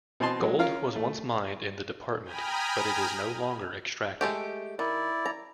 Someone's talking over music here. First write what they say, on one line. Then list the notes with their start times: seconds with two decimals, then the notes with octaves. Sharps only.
Gold was once mined in the department but it is no longer extracted.
0.20 B2 C4 D#5 G#5 A5 C6
0.40 F#3 G#3
0.59 C#4 F4 A#4 F5
0.96 A3
2.23 G5 G#5 A#5 B5 D#6 F6
4.21 G#3 A3 G4
4.79 D#3 E4 D5
5.26 A#5